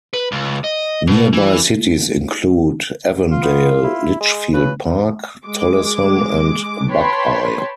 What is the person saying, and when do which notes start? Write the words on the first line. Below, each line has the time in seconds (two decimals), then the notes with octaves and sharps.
Nearby cities include Avondale, Litchfield Park, Tolleson and Buckeye.
0.14 B4
0.32 C#2
0.64 D#5
1.08 B2
1.33 E3
3.31 F4
3.42 B3
3.84 E4
4.21 G#3
4.54 C#3 B4
5.46 G#3 D6
6.89 B4 C#5 G5 A5 B5 C6